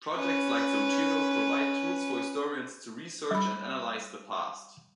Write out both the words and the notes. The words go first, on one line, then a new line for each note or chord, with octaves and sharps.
Projects like Zotero provide tools for historians to research and analyze the past.
C#4 B4
G3 B5